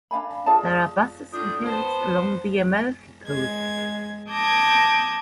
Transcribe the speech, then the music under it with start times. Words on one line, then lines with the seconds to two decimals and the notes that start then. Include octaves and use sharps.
There are buses and ferries along the Amalfi Coast.
0.11 D4 F5 G#5 B5
0.46 F4 G#4 D5 A5
1.32 A2 D4 F4 D#6 G6
1.65 B3 C5 A5
3.25 G#3 G#6
4.29 A5 D6 D#6 G6 G#6 A#6